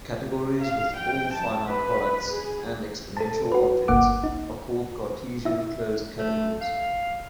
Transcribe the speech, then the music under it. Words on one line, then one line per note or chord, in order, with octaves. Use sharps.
Categories with all finite products and exponential objects are called cartesian closed categories.
G4
F5
G5
A5
B4
G#4
A4 A5
F#4 B4
G1 C2 A#3 F#5 D6
D#4
E4 E5
A3
F5